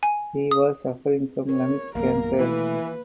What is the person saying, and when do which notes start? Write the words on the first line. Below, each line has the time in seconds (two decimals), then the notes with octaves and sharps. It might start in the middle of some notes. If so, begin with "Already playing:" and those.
He was suffering from lung cancer.
0.03 G#5
0.51 D#6
1.49 A#4 C#5
1.95 A#1 F#2 D#3 A#3 B3 A#4 F5
2.38 B2 E3 A3 B4